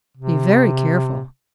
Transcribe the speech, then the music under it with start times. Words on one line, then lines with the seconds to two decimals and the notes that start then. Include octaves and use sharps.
Be very careful.
0.17 C3